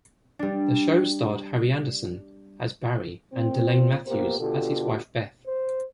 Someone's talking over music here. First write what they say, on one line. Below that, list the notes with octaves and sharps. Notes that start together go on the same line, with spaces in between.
The show starred Harry Anderson as Barry and DeLane Matthews as his wife Beth.
G3 D4
A#2 C4
A#2 A#3 B3 G4 C5
B2 D3 F4 G4 A4
C5